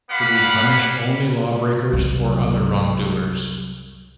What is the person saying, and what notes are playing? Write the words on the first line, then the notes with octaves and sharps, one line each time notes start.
Should we punish only lawbreakers, or other wrongdoers?
G3 A#3 F5 F#5 B5
C2 F#3